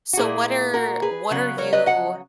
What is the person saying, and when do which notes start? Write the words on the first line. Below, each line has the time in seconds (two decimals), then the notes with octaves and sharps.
So, what are what are you
0.13 F#4
0.17 A#2 A#3 E4 G#4
0.74 F#4 A#4
1.02 G#4 B4
1.31 C#3 F#3 B3
1.58 A#4 C#5
1.73 B4 D#5
1.86 D#5 F#5